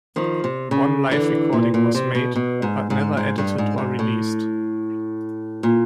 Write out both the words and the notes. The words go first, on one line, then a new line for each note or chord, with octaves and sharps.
One live recording was made but never edited or released.
D#3 F3
C3
C#3
D3 E3
A#2
A#2
C3
B2
B2
G#2
G#2
G#2
G2
G#2
G#2
A2
A#2